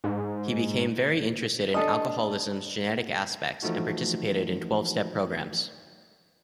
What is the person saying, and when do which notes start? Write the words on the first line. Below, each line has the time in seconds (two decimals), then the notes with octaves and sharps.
He became very interested in alcoholism's genetic aspects, and participated in Twelve-Step Programs.
0.04 G#2
1.74 D4 A4 D#5
3.63 E3 F3 A3 D#4 F#4